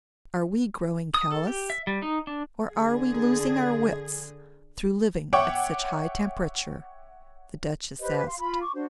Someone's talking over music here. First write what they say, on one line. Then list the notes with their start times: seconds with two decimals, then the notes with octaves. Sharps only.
"Are we growing callous, or are we losing our wits through living at such high temperature?" the Duchess asked.
1.14 D#6
1.32 A4
1.47 G4
1.70 E5
1.87 G3
2.02 D#4
2.27 D4
2.74 D3 G#4
5.33 C#5 E5 F#5 G5 C#6 D6
8.00 G4 B4 C5 D#5
8.26 F5 C6
8.38 F4 B5
8.61 C#6 D6
8.74 D4 F#4 C5